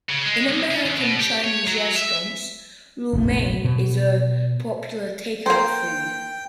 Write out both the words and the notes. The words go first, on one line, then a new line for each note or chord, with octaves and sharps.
In American Chinese restaurants, lo mein is a popular take-out food.
C#3
G#3
C2
C#3
E2
B2
G4
C#5
F#3
E5
F1 A#1 A3
B2
A#3 C5 G5